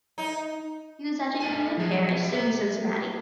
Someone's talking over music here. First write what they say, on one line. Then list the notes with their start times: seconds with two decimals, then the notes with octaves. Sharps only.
He was educated in Paris and Cincinnati.
0.18 D#4
1.40 A3 D4 G#5
1.78 F3 G#4
2.29 G4 E5